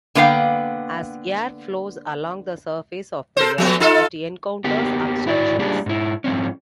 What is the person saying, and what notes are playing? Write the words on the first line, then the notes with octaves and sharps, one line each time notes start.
As air flows along the surface of the Earth, it encounters obstructions.
D3 A#3 B3 F5 G5
A4 A#4 C5
F3 A3 B3
D#4 F4 A4
A#3 B3 G4
G#2 E4 F#4 D5
G3 A#3 C#4 D4 G4 G#4
G#2 E4
G#2 F3 C4 C#4